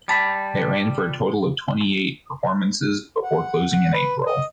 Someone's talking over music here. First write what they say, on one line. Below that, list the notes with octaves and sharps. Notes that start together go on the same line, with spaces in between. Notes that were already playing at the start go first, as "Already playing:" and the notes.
It ran for a total of twenty eight performances before closing in April.
G3 A5 B5
F#5
F#5
B4
D#5